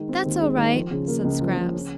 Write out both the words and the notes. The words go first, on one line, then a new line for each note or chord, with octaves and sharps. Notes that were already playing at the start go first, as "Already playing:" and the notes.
"That's all right," said Scraps.
Already playing: D#3 G#3
C4
D#2
G#3
D#3
F3
C#3
A#3
C#2
F3
C#3
C#4